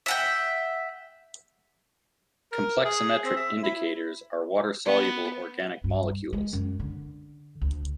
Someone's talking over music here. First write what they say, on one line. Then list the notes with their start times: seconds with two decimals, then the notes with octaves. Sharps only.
Complexometric indicators are water-soluble organic molecules.
0.06 E5 F#5 G5
2.52 A#4
2.85 G#4
3.25 C4
3.36 E5
3.63 E4
4.86 B3
5.84 G2
6.33 G#3
6.53 F#2
6.80 D3
7.61 D2